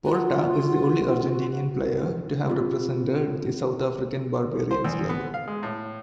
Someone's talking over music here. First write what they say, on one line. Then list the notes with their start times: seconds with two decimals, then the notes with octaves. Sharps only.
Porta is the only Argentinian player to have represented the South African Barbarians Club.
0.05 F4 F#4
2.50 C4 F4
4.71 C5
4.85 E2
5.09 B3
5.34 F5
5.48 G#3
5.63 A2